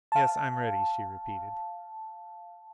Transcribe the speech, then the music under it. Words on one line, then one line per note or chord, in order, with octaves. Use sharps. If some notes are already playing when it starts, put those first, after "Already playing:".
"Yes, I'm ready," she repeated.
F5 A5